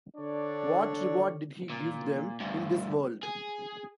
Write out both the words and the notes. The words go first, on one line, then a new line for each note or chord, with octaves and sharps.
What reward did He give them in this world?
D3 D4 C#5 D5
A#2
D2 G2
G#4